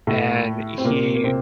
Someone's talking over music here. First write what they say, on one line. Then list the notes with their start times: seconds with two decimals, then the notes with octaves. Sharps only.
And he
0.07 A2 A3
0.78 C4
0.85 A#2 A#3
1.15 A#3
1.24 C3 C4